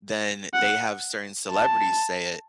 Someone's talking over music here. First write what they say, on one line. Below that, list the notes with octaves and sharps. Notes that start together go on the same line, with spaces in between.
then they have certain celebrities say it,
F#5
A5